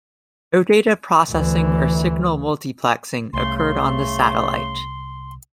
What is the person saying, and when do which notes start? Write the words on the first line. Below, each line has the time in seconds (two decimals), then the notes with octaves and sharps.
No data processing or signal multiplexing occurred on the satellite.
1.30 D2 E3
3.33 C2 C#3 A3 C6
3.58 C6